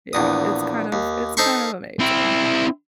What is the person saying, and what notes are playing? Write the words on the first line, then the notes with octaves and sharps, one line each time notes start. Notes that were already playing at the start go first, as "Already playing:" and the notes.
Yeah, it's kind of it's kind of amazing,
A#1 E2 D#6
D#2
D#4 A4 C5 B5 C#6
C4 E4